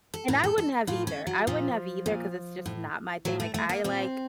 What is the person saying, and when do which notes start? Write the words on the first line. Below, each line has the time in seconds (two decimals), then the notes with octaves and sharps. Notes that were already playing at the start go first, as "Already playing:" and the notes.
And I wouldn't have either, I wouldn't have either ‘cause it's just not my thing. Like, I like
0.14 A4
0.28 A2 A#4
0.44 A4
0.58 A4
0.87 A2 F4
1.07 C#4
1.27 F#3
1.47 A#2 F3
2.06 A#2
2.66 A2
3.25 A2 F#3
3.40 A3
3.54 A3
3.69 A#3
3.84 A#2 C4